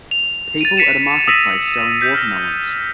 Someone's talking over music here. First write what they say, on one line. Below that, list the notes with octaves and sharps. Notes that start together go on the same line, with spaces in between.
People at a marketplace selling watermelons.
F7
A6 D#7
B6 C#7 D#7 E7
D#6 E6 A#6 B6 D#7 E7
G6 B6
F6 A#6